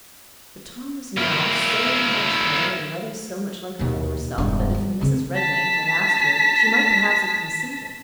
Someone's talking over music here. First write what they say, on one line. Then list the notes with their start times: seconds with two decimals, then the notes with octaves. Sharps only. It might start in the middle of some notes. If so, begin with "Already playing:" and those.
But Tom was now so much better, and Letty so much like her former self, that, if Mrs. Redmain had asked her, she might perhaps have consented.
1.17 A#3 E4
3.79 D#2 B2
4.38 E1 G2
4.74 G3
5.01 C#3 C4
5.36 A5 B6